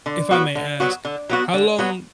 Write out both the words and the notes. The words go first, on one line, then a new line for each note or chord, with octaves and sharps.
if I may ask, how long
D3
F#3 B3 F#4
D3
F#3 B3 F#4
D3
F#3 B3 F#4
D3
F#3 B3 F#4